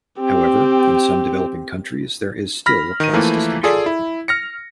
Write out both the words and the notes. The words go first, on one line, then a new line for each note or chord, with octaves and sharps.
However, in some developing countries, there is still a class distinction.
C4 G4
B5 F6 A#6 B6
D#3 D#7
E3 F3 A3 A#3 E4
F4 G#4 A4 D5
E4
F6 A#6 C#7